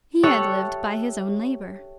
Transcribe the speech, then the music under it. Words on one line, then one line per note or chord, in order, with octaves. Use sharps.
He had lived by his own labor.
G4 A4 C#5 E5 C#6 F#6